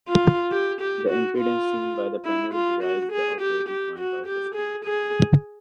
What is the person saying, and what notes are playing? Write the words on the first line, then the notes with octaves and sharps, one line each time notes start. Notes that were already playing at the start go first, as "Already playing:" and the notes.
The impedance seen by the panel derives the operating point of the solar panel.
F4
G4
G4
F#4
F4
E4
F4
F#4
G#4
G4
G4
F#4
G4
G#4
G#4